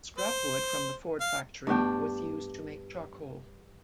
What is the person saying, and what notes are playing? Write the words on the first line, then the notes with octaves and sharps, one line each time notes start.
Scrap wood from the Ford factory was used to make charcoal.
C5
F5
G2 A3 B3 D4 G5